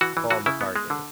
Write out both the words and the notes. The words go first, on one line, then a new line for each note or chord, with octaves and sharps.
Paul McCartney.
E3 F#4
E3
E3 F#4
C#3 E4
B3
G#3
D3